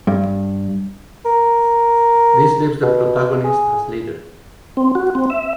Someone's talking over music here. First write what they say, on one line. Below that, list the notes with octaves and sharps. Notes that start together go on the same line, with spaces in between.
This leaves the protagonist as leader.
G2
A#4
B2
G#4
C4
F#4
C4
E5